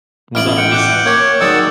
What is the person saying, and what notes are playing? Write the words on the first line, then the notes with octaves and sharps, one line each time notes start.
Was that recent?
A1 E4 F4 F6 D7 F#7
F#5 G5
D6 F#6 G6
A#3 G4 C#5
D#3 F#3 G#3 D5 F#5 E6